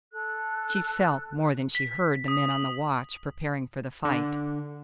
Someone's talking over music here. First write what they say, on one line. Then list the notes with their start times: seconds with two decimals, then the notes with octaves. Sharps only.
She felt, more than she heard, the men on the watch preparing for the fight.
0.10 A4 F#6
1.75 B6
2.28 D#6
2.51 F#7
4.05 D3